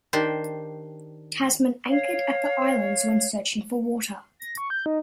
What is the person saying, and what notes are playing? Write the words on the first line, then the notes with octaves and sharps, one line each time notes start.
Tasman anchored at the islands when searching for water.
D#3 D4 G4 C5
C#5 F5
A#6
C#6
G6
D#4